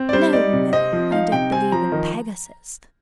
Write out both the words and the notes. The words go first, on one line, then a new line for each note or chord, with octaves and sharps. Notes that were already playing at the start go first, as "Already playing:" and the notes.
No, no! I don't believe in Pegasus.
Already playing: C4
D5
G3 C5
D#4 D5
C3
C4 D#5
F3
D#4 F5
C3 G5
C4 G#5
F3 A#5
D#3